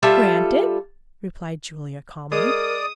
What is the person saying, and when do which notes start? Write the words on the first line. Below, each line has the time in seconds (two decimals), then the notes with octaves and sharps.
"Granted," replied Julia calmly.
0.03 G3 F4 A4 E5
2.32 G#3 A#4 D5 D#6